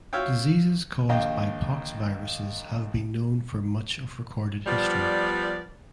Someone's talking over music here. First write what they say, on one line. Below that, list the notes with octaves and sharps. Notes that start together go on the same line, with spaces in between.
Diseases caused by poxviruses have been known for much of recorded history.
F4 F#4 C#5 E5 F5 G5
A#1 D#2 D#5 F5 G5
F3 G3 B3 D5